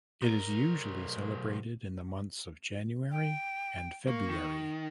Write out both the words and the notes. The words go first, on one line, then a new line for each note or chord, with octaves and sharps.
It is usually celebrated in the months of January and February.
B1 A#4
G5
A#3 C#6
D#3